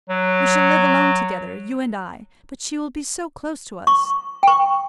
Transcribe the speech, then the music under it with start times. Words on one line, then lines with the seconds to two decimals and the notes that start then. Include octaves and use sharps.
We shall live alone together, you and I; but she will be so close to us!
0.10 F#3
3.87 C#6
4.43 G5 C#6